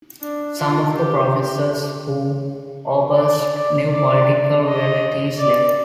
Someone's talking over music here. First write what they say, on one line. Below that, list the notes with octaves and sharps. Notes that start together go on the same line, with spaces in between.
Some of the professors who opposed new political realities left.
D4
F4
G4
D5
D5
D5
D#5
D5